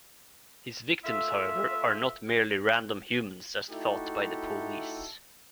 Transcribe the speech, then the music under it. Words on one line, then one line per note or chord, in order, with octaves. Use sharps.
His victims however, are not merely random humans as thought by the police.
A3 F4 E5
A3 D#4 E4 F#4 G4 A4